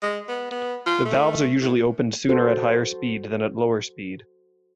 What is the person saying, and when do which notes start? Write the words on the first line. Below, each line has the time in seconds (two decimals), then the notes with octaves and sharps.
The valves are usually opened sooner at higher speed than at lower speed.
0.03 G#3
0.28 B3
0.51 B3
0.86 F4
1.05 A3
1.61 A2
2.29 F#4 A4 C5